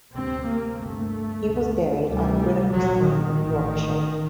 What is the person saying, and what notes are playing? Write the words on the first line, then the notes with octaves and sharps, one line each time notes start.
He was buried on the Whitakers' farm in Yorkshire.
D2 C3 C4
A#3
G1 G2 A3
D2 C3
D2 C3 G3
A#1 A#2 F#3
D#3
A1 A2